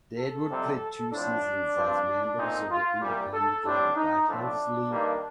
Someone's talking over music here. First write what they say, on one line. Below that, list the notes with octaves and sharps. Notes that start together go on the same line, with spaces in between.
Deadwood played two seasons as members of the Independent level Black Hills League.
A4
F2 C3 G3 C4
A2 F3 C4 D4
G2 F3 C4
A#2 A3 C4 D#4
F4
C2 A#2 G3
A4
A2 G3 C4 D4
D#4
A2 F3 A3 C4 D4
G2 D#3 G3 A#3